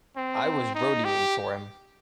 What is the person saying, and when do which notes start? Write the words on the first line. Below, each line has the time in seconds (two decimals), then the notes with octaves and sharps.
I was roadieing for him!
0.17 C4
0.75 D#4
1.05 G4